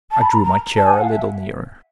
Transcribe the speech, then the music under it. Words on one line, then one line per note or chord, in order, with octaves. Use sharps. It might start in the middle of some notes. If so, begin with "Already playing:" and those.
I drew my chair a little nearer.
A5
B5
A#5
A#5
A5
G#5
F#5
F5
E5